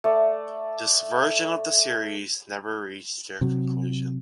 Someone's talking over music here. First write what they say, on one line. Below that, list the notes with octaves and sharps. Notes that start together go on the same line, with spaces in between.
This version of the series never reached their conclusion.
A3 D5
C3 F#3